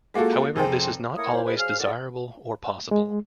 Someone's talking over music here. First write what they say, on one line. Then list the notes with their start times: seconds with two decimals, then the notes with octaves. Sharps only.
However, this is not always desirable or possible.
0.14 G#3 A#3 F4 F#4 A4
0.56 F1 G#4 C5 G5
1.17 A3 A#3 E4 A#4 C#5 D#6
1.32 A#3 E4 C5 C#5
1.45 D#2 G#4 B4 C5
1.58 F#3 G#4 C5 F5 F6
1.79 E2 F#4 A4 A#4 D5
2.91 G#3